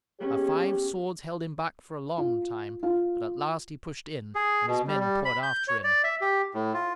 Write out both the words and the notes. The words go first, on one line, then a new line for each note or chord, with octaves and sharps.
Our five swords held him back for a long time, but at last he pushed in, and his men poured after him.
D#2 B3 C#4 G4 G#4 C#5
F4
F4
G#4
B2
G3
G3
B5
G6
C#5
D5
E5
G4
A2
F4